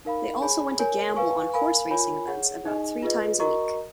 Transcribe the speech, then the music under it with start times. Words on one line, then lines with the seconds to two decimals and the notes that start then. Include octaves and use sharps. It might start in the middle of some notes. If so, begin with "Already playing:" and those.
They also went to gamble on horse racing events about three times a week.
0.05 D#4 A#4 F5 B5
0.42 G#4 C#5 G#5 B5
0.79 A#4 C#5 G#5
1.16 B4 F5 G#5 C#6
1.54 A#4 F5 G#5 B5
1.91 F4 A#4 C#5 G#5 B5
2.28 G#4 C#5 F#5
2.65 D#4 G#4 D#5 G#5
3.02 F4 G#4 B4 D#5
3.40 F#4 A#4 D#5 A#5 C#6